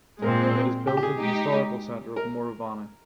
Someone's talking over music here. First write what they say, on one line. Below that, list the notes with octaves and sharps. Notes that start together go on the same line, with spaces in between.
It is built in the historical center of Moravany.
A#2 G#3 C4 A#4
G4
G4
G#4
G#3 D#4 G4
A#4